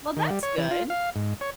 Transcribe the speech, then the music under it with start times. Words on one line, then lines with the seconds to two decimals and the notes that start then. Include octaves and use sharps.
Well, that's good.
0.17 D#3
0.30 G3
0.43 C#5
0.58 E3
0.71 F4
0.90 F5
1.16 G#2
1.41 C#5